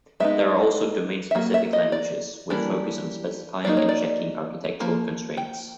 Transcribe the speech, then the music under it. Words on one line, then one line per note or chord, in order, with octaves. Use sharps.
There are also domain-specific languages with focus on specifying and checking architectural constraints.
G#3 B3 D#4 E5
E5
F#3 A#3
E5
D#5
D5
E3 G3 A#3 D4
F#3 A#3 D#4 D5
C#5
D5
F3 A#3
G5